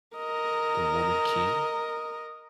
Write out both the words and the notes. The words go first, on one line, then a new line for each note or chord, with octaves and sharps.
The Woman King?
A#4 D#5